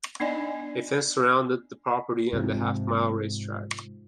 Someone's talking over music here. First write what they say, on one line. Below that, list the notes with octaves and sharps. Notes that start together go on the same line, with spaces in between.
A fence surrounded the property and the half-mile racetrack.
B3 D4 D#4 D5 D#5 G#5
G#2 C3 F3